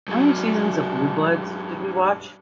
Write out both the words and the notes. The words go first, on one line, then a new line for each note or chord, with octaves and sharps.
How many seasons of Blue Bloods did we watched?
G2 F#3